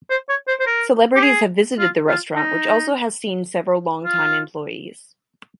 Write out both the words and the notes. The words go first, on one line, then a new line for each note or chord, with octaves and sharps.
Celebrities have visited the restaurant which has also seen several longtime employees.
C5
C#5
C5
C5
A#4
G4
G#4
F4
F4
D#4
F4